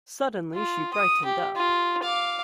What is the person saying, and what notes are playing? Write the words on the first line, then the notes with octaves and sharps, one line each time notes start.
Suddenly she brightened up.
F4
D#6
G4
F4
F5 D6